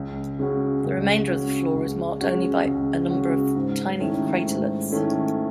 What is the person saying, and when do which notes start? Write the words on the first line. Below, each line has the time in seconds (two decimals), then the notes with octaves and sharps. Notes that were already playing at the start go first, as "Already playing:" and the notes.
The remainder of the floor is marked only by a number of tiny craterlets.
Already playing: C#2
0.39 C#3 G#3 C#4 F#4
0.84 C#2
1.29 C#3 G#3 C#4 F#4
1.74 C#2
2.20 C#3 G#3 C#4 F#4
2.65 C#2
3.10 C#3 G#3 C#4 F#4
3.55 G#2
4.00 D#3 A3 C#4 E4
4.46 G#2
4.91 D#3 A3 C#4 E4